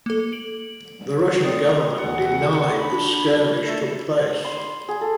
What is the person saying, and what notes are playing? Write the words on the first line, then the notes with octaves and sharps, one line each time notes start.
The Russian government denied the skirmish took place.
A#3 A4
D7 F#7
C4 D5 D#6
D#2 C#3 E3 C4 F#5
D4 B5
A3 A4
C6
G#4
A4